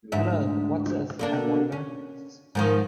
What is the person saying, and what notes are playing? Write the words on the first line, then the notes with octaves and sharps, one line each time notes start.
Hello, what's this, I wonder.
D2 G#2 E5
D3 A#3 D4
C#4
G#2 D#3 F3